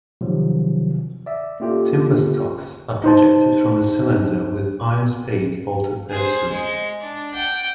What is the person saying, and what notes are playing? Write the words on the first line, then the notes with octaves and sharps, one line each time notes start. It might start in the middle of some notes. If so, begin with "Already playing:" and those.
Timber stocks are projected from the cylinder with iron spades bolted thereto.
C3 D#3 F3 F#3
D5 E5
A#3 C#4 F4 G4 A4
D#4 C5 A5
G#4 C5
G#3
D4
F#5 G5